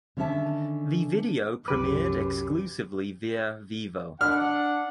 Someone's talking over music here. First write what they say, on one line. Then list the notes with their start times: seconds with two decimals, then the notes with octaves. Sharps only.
The video premiered exclusively via Vevo.
0.17 D3 D#3 C#4 C5 E5 A5
1.68 C2 F#2 G4 B4 D6
4.21 D4 F#5 F6